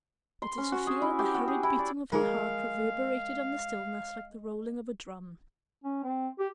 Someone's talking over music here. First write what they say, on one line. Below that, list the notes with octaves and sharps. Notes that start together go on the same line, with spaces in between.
But to Sofia the hurried beating of her heart reverberated on the stillness like the rolling of a drum.
C6
C#4
F#4
G#4
E4
G4
F#4
G#4
E4
D5
G#3 F4 G#4 A#4 F5
C#4
C4
G4